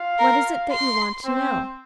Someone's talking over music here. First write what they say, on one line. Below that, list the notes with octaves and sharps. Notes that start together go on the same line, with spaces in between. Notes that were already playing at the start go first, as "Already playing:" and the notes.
What is it that you want to know?
Already playing: F4 F5
A#4
C6
C4 C5